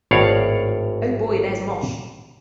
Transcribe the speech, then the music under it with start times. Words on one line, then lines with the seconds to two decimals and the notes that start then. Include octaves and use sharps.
Oh boy, there's 'Mosh'.
0.11 G#1 A2 F#4 C#5 D5 F5